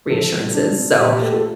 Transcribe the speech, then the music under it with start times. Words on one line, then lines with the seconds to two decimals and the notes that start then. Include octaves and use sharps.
reassurances, so,
0.10 F3 F4 A4
0.32 G3
0.54 D4
0.76 C3
0.99 A#2 G4
1.15 G4
1.21 A3
1.32 F4 A4